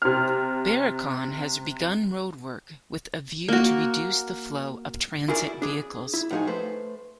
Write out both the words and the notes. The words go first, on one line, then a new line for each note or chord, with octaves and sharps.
Berikon has begun roadwork with a view to reduce the flow of transit vehicles.
C3 F6
A#3 F#4
E4 F#4 G#4 A#4 B4 D5
D4 G#4
E4
A2 F3 D#4 F#4 G#4
A3 B4 C5